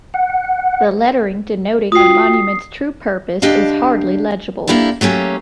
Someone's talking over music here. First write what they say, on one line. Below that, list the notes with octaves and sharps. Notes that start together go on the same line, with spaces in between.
The lettering denoting the monument's true purpose is hardly legible.
F#5
F4 F#4 G5 D#6 C7
D2 D4 G4 D#5 F5 A5
A#3 D4 E4 G4 A4
F#3 A3 A#3 C#4 G4